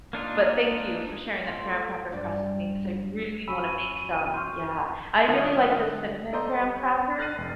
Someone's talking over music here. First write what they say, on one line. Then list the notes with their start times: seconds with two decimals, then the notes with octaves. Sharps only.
But thank you for sharing that graham cracker crust with me 'cause I really wanna make some. Yeah, I really like the cinnamon graham crackers
0.13 A#3 D4 D#4 F4
1.46 A3 F4 C5
2.12 G2 G3 D5
3.48 F#2 G#5 B5 C#6 E6 D#7
4.34 C6 C#6 D#6 F6 G6
5.28 G#2 D3 D#4 F4 D#5 E5 F#5 C#6
6.33 A4 D5 D#5 A#5 C6 G6
6.59 G3
6.77 C#5
7.19 F6 F#6 A6 A#6 C7 D#7
7.38 F1